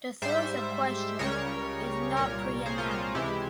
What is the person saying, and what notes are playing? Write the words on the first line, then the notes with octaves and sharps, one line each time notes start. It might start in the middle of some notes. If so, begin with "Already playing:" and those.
The source of questions is not pre-announced.
G#2 G3 C5 E5
C#2 C#3 G3 A#4 C#5
C2 A#2 G3 A#4 C#5
G#4 C5
F4
F4
F4
C#2 C3 E3 G#3 E4 G4